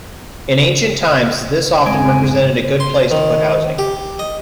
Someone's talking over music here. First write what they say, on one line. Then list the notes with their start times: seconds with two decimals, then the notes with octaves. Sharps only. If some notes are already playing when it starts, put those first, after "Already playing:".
In ancient times this often represented a good place to put housing.
1.86 G#1 E2 A2 G#3 C4 G#5 D7
2.80 C6
3.11 D#3
3.78 G4
4.19 D#5